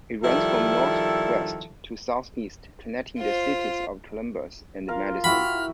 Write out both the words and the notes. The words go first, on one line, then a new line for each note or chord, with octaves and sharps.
It runs from northwest-to-southeast connecting the cities of Columbus and Madison.
D#3 F3 G3 E4 A4
F4 C5
F4 A#4 F5
E4 F#4 G5 B5 F6